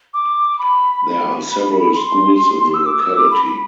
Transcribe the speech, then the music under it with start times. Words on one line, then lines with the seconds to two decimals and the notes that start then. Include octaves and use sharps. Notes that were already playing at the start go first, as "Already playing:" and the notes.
There are several schools in the locality.
0.14 D6
0.59 B5
1.04 B5
1.96 C6
2.74 E6
2.86 D6
3.01 E6
3.16 D6
3.31 B5
3.45 B5